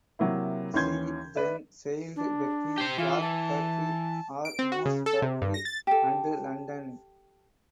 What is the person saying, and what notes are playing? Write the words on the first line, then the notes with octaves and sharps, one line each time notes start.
She then sailed between York Factory or Moose Factory and London.
C3 F#3 A#3 E4
D#2 E3 C#4 C6 G6 G#6
B4 D5 E5
D4
G4 C5
E3 F4
A5
D7
C4
F#4
C#3
A4
C3
G2
A#6
A6
G4 A4